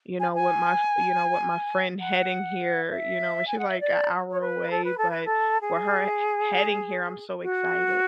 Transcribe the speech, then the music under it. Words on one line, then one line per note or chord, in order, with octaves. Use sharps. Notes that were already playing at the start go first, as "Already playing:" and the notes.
you know, what my f you know, what my friend heading here, you know, when she, like, a hour away, but where her he heading here, I'm so excited.
G#5
G#5
F#5
E5
G#5
F#5
E5
D5
C#5
B4
A4
B4
A4
B4
A4
G#4
F#4